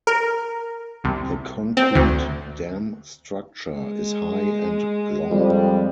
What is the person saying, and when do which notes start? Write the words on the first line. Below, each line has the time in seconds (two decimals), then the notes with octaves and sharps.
The concrete dam structure is high and long.
0.07 A#4
1.04 C2
1.77 C4
1.95 D2
3.72 G#3
5.31 F2 G3